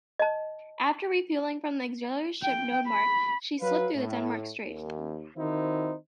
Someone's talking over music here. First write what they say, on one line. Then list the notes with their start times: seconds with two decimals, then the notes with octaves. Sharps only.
After refuelling from the auxiliary ship "Nordmark", she slipped through the Denmark Strait.
0.19 D#5 A5
2.43 G5
2.88 B5
3.61 F#3 B4 F5
3.95 A2
4.64 D#2
5.37 D#3 C4 D#4 E4 F#4 C5